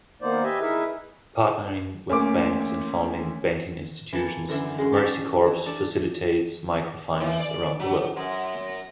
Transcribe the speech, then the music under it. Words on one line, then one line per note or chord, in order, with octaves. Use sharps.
Partnering with banks and founding banking institutions, Mercy Corps facilitates microfinance around the world.
D#3 A#3 B3 D#4 C5 D5
G4 B4 D#5 E5 G#5
D#4 E4 G#4 A#4 B4 E5
D2 A#3 C#4 D6
E3 A#3 A5
F#2 D3 E3 E5 C6
F#2 G#3
G4 C#5 D5 A5
E3
D4 A4
E3
D5
F#3
F#2